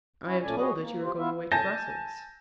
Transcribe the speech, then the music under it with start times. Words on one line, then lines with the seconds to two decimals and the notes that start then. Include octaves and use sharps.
"I am told that you are going away to Brussels."
0.24 C#4 E4
0.42 A#2 A3 C#4 D5 G#5
0.58 F#4 G#4 B4 C#5 D#5
0.79 A#3
1.02 F4 G4 C5
1.17 B3 E4 F4 E5
1.52 G#5 A5 G6 A#6